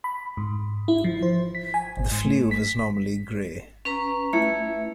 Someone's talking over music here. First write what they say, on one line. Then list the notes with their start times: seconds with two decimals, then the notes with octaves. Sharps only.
The Fleuve is normally grey.
0.04 B5
0.37 G#2
0.88 E4
1.04 F3
1.22 C5
1.55 B6
1.74 G#5
1.97 G#1
2.11 G#2
2.25 A3
2.51 B6
3.85 C#4 B4 A#5
4.33 A3 E4